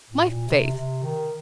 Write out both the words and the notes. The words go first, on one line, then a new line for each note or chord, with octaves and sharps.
My faith!
A2
A#2
C3
C3
D#3